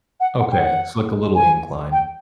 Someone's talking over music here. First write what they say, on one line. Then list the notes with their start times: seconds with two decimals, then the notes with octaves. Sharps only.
Okay. It's like a little incline.
0.20 F#5
0.39 F#5
0.52 G5
0.58 F#5
1.35 G#5
1.92 G5